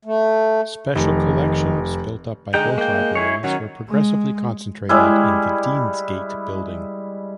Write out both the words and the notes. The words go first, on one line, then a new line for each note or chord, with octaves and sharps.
Special collections built up by both libraries were progressively concentrated in the Deansgate building.
A3
F1 D#3
D3 G#3 D#4 G5
A#3 G5
E4 G#4 C#5
D#3 F#3 C#4
G#3
G3 G#3 E4